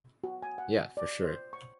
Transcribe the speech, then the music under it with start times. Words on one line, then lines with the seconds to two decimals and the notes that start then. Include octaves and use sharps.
Yeah, for sure.
0.24 F#4
0.42 G#5
0.58 F#5
0.97 D5
1.24 C5
1.53 C#6